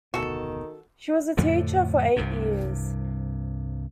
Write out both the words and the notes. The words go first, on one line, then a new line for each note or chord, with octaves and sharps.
She was a teacher for eight years.
F1 D2 B2 D#3 F#4 A4
F2 A2 D3 F3
C2 G2 C3